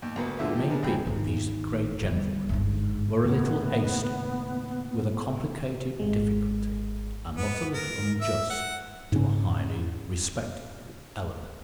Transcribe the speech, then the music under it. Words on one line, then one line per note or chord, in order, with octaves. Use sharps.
It may be these great gentlemen were a little hasty with a complicated difficulty, and not a little unjust to a highly respectable element.
D#2
D2 A#3 B3
A#2 D3 G#3 E5
F3 G4
B3 D4 G#4 A#4
C2 G#3 G#4 G5 B5
G#1 D#3
D3 G3
G1 G#2
D#2 A2 C#3 B3
G#1 G#3
B3
A#4
E5
F#5
G#2 C#3 C#4